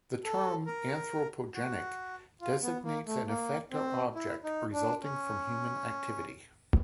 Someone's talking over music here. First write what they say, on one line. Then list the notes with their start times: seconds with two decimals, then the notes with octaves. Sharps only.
The term "anthropogenic" designates an effect or object resulting from human activity.
0.24 A4
0.67 A#4
1.55 F#4
2.41 F4
2.62 B3
2.84 A#3
3.07 A3
3.28 A#3
3.72 C4
4.15 E4
4.44 D#4
4.73 D4
5.02 C#4